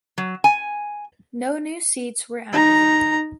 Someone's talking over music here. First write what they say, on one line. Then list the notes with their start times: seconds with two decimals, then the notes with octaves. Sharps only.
No new seats were added.
0.18 F#3
0.44 G#5
2.53 D#4 A#5